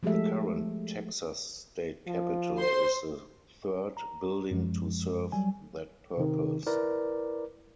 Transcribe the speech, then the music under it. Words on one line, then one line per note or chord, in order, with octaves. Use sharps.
The current Texas State Capitol is the third building to serve that purpose.
F3 G#3 A3 G4 A4 E5
F3
C5 C6
A#5
F#2 F3 G#3
F#3 G3 G#5
C3 D#3
E4 A#4 B4 D5